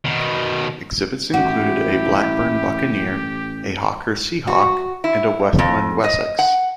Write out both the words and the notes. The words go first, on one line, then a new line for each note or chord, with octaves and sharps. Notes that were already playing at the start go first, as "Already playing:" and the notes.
Exhibits included a Blackburn Buccaneer, a Hawker Sea Hawk and a Westland Wessex.
B2 D#3
A1 E4 F#4 G4
F#4
E4
F2
D#5
F#5